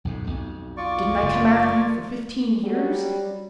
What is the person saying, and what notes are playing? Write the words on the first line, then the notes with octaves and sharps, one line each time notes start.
Didn't I come after you for fifteen years?
B1 F2 G#2
B1 F2
F4 D5 C#6
F#1 G#3
F#3 G3